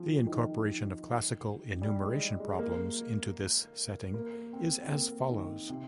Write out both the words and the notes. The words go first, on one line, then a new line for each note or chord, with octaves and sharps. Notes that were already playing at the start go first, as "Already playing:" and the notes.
The incorporation of classical enumeration problems into this setting is as follows.
Already playing: F3 C4
F3
D#3
G3
G#3
G#3
A#3
A#3
C4
C4
A#3
D#3
C3